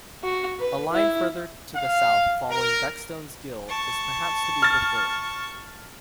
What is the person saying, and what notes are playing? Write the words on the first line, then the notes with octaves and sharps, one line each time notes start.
A line further to the south following Beckstones Gill is perhaps to be preferred.
F#4
B4
E4
F5
A#4
A5 C#6
F6 A6